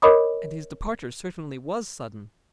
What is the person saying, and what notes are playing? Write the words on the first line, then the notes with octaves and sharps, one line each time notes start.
And his departure certainly was sudden.
A#4 C#5 D#5 B5 D6 D#6